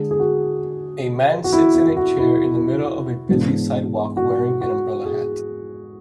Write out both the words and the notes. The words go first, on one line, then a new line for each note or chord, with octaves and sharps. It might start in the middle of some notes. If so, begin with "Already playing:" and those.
A man sits in a chair in the middle of a busy sidewalk wearing an umbrella hat.
Already playing: D3 G#3 D4 G#4
G#4
F#4
F#4
E4
E4
E4
F#4
E4
G#2 E3 B3 D4
F#4
F#4
G#4